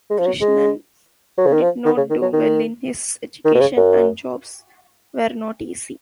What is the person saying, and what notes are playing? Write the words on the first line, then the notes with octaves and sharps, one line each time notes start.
Krishnan did not do well in his education and jobs were not easy.
G#3
F3
F#3
G#3
F#3
C#3
D#3
F3
D#3
C#3
D#3
F#3
D#3
D#3
B2
C#3
F#2